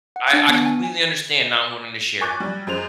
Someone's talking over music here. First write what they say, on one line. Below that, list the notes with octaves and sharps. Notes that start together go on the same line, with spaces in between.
I I completely understand not wanting to share.
F#5
D4
B3
G#5
G#5 C#6 D6 F#6 A6
F#3 G3
F#2 G#3 C5 F7